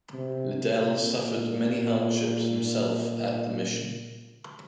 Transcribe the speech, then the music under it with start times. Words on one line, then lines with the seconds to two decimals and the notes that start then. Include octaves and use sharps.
Liddell suffered many hardships himself at the mission.
0.14 C3
0.58 C3
1.01 A#2